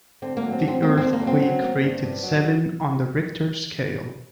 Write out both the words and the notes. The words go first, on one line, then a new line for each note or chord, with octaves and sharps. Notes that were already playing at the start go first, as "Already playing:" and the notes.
The earthquake rated seven on the Richter scale.
D3 C4
A#3
F#3
C4
G2
C4
A#3 C4
D3 C4
A#3
F#3 C4
F#3
A#3
G2
G2
F#3